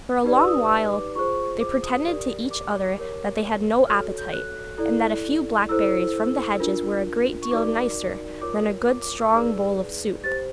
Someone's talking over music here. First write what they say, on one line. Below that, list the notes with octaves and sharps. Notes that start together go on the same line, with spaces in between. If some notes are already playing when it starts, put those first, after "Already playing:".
For a long while whey pretended to each other that they had no appetite, and that a few blackberries from the hedges were a great deal nicer than a good strong bowl of soup.
D#4 G4 B4 D5
E6
D#6
E6
D6
F4 G#4 C5 C#6
D6
D#6
G4 A#4 D5
D6
G4 A#4 C#5
F#4 A4 C#5 F6
G6
F#6
E4 A4 D5
E4 A4 C5 E6
D4 F4 A#4
C#6
D#4 F#4 A#4 D5 D6
F4 A#4 C#5 D6
D#6
D6
D6
D#6
D#4 G#4 B4 D5 E6
G4 C5 A6